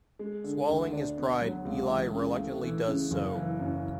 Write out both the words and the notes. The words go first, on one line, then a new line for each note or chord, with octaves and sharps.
Swallowing his pride, Eli reluctantly does so.
G#3
D3
D2
D4
B3
F#3
C#2
E3
C#3
A3
E3
C#3
F#1
E3
F#2